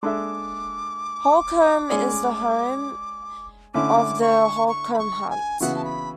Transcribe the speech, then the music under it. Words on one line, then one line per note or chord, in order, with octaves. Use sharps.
Holcombe is the home of the Holcombe Hunt.
G#3 D4 A4 E5 D6
G#3 C#4 G#4 D5
D3 A3 C#4 E4 D6
C#6
C#6
B5
C#6
G#5
C#3 E3 B3 F#4 F#5
A5
B5